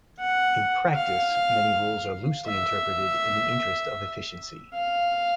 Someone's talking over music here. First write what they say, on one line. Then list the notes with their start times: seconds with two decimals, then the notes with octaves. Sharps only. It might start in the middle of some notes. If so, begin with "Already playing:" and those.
In practice, many rules are loosely interpreted in the interest of efficiency.
0.20 F#5
0.95 F5
2.47 E5
4.74 F5